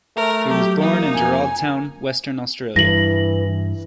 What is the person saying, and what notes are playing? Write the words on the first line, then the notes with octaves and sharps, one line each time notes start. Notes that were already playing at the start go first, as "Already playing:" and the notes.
He was born in Geraldton, Western Australia.
A3 A#4
F#3 G4
A#3 D#4
F2 G#5
G2 E3 A#6 F#7